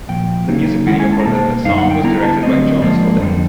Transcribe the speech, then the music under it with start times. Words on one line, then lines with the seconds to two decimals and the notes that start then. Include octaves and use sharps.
The music video for the song was directed by Jonas Odell.
0.08 A#2 F3 G5
0.48 C#3 F#3 A#3 D#4
0.87 D#3 G#3 C#4 E4 F#5
1.00 G#5
1.12 A5
1.20 A#5
1.25 B2 G3 A#3 A5
1.64 F#2 D3 G3 D#4 F5
1.78 F#5
1.91 G5
2.03 D3 G3 B3 E4 A#5
2.23 A5
2.42 D3 F#3 A3 C4 D#5
2.81 G#2 F3 A#3 D4
3.20 F2 D3 G3